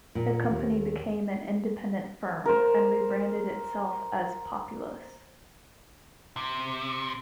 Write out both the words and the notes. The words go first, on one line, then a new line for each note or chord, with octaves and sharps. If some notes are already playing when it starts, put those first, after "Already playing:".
The company became an independent firm, and rebranded itself as Populous.
A#2
D#2
A#4 C5
C3